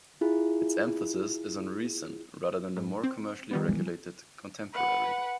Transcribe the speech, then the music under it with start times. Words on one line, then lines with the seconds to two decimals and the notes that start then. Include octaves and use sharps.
Its emphasis is on recent rather than the more commercially regulated 'contemporary'.
0.21 E4 F4 G#4
2.76 G#2
3.03 C4
3.51 D#3 G3 B3
3.68 E3 F#3
4.74 B4 F#5